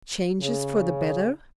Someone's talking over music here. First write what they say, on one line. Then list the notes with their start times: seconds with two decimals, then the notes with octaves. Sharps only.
"Changes for the better?"
0.40 C#3